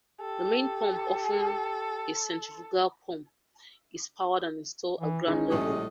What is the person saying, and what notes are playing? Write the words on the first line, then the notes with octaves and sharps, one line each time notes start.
The main pump, often a centrifugal pump, is powered and installed at ground level.
G4 A4
E3
D#3 G#3 C#4 D#4
A#1 A2 G3 D#5